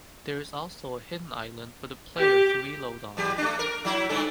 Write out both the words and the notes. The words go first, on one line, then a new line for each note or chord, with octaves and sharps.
There is also a hidden island for the player to reload on.
G4
E2 F#3 G4
A3 D4
A#4
F#3 E4
G2 D3 A4